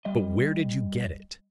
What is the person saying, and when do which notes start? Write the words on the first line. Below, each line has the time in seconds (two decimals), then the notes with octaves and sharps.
"But where did you get it?"
0.05 G3 D#5